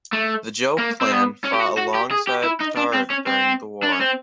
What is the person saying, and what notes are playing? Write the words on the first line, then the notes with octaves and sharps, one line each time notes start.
The Jo clan fought alongside the Taira during the war.
A3
A#3
C4
B3
C#4
G4
F#4
F#4
G4
G#4
G4
E4
D#4
D4
C4
C#4
C4
D4
C#4
C4